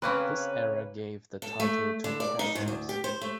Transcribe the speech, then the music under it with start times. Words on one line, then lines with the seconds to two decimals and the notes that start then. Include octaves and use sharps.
This error gave the title to Castres.
0.02 C#3 A#3 C4 B4 C#5
1.42 A4
1.60 A3
2.04 D3
2.20 D5
2.39 D#4
2.55 G#2
2.68 D2
2.89 G4
3.04 C5
3.21 A3